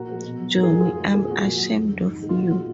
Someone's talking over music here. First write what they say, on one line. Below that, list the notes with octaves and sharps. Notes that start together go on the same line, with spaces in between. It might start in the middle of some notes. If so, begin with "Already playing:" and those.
Jonny, I'm ashamed of you!
Already playing: A#2 F#4 A#4
F3 G#3
B2
F#3
G#2 A#4
G#4
F#3 F#4
F2 F4 G#4
D#3 G#3
A#2 F4 G#4
G#4
F3 G#3 F#4
A#2 F#4
F#3
F2
D3 F#3
G#2
D#3 G#3
F4
A#2 F#4
G#3 F4